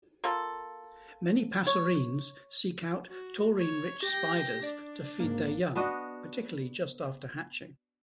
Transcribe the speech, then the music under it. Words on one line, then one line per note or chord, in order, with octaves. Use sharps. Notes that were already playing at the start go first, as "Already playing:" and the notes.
Many passerines seek out taurine-rich spiders to feed their young, particularly just after hatching.
A#3 F4 A4
C#5
F#4
C#5
G4 G5 A#6
D4 D5
G#1 A#3
B3 D4 F#4 D#5